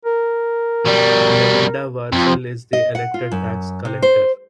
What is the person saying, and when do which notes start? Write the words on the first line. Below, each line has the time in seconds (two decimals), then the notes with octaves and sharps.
Melinda Warfel is the elected Tax Collector.
0.05 A#4
0.85 B2 G3
2.13 F2 F4
2.73 D#5
2.95 F#5
3.14 F4
3.32 F#2
3.85 C3
4.02 C5